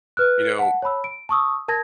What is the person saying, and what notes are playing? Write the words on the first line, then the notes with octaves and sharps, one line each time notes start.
You know
B4 F6 F#6
F#5 A5
C#5 A5 B5 E6
D7
A5 C#6 D#6 E6
A#4 A5 G#6 A#6